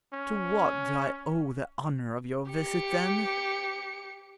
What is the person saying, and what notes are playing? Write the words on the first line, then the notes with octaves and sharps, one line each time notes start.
"To what do I owe the honor of your visit, then?"
C#4
G4 C#7